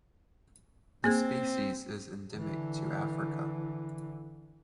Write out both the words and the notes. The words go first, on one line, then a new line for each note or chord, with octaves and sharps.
The species is endemic to Africa.
A#3 C4 G#4 G#6
D3 E3